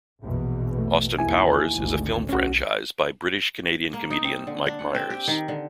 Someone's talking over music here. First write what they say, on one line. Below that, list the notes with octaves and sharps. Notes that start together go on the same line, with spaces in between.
"Austin Powers" is a film franchise by British-Canadian comedian Mike Myers.
A#1 E2 B2
A3
D#2 E4 G#5
G#1 D2
B1 C#4 F#4
A#3
D#4
C4
D3
D4
F#5
C4
G4
D#3
D3